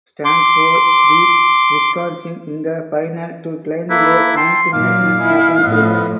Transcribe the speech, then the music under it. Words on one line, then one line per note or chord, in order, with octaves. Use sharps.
Stanford beat Wisconsin in the final to claim their ninth national championship.
C6 D6
A#3 E4 A4 B4
G5 A5 C6 E6
A#2 F#3 F5 D6
E4 D#5 G#5
A2 F3 B3 B4 D#5